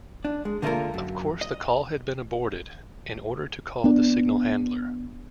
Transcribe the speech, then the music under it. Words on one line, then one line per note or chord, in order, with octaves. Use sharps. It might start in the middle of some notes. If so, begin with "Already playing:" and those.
Of course the call had been aborted in order to call the signal handler.
D4
G#3
D3 A3 A#3 D4 F4 A#4
F#2
D#5
B3 D4